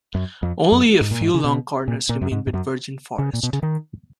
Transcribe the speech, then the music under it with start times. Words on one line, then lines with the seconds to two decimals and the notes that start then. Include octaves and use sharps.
Only a few long corners remain with virgin forest.
0.15 F#2
0.43 F2
0.72 F#2
1.01 G#2
1.11 A#2
1.21 G#2
1.34 C#3
1.44 B2
1.88 A#2
2.09 A#2
2.21 F#2
2.32 G#2
2.47 G#2
2.54 F#2
3.19 C#3
3.33 A#2
3.43 B2
3.53 C#3
3.63 D#3